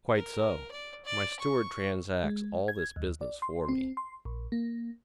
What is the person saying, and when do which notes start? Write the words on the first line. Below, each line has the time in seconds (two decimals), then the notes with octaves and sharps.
"Quite so; my steward transacts all this business for me."
0.16 A#4
0.71 D5
1.05 D5
1.40 C#6
2.24 G#3
2.68 G#6
2.96 D#2
3.21 D5
3.42 C6
3.68 C4
3.97 C6
4.25 A#1
4.52 A#3